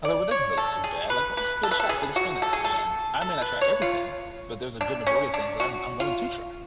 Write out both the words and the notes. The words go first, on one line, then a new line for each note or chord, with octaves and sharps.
I thought, well it doesn't look too bad. Like, well, let's give it a shot, take a spin at it, and I may not try everything, but there's a good majority of things that I'm I'm willing to try.
D5
C#5
A4
G#4
B4
B4
A4
B4
A4
G#4
F#4
A4
G#4
A4
A4
B4
C#5
F4
D4
C#4
D4
F#4
F4